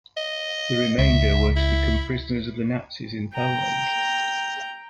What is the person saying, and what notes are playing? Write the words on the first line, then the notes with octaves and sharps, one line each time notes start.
The remainder were to become prisoners of the Nazis in Poland.
D#5
C#2 E5
E4
G5 A#5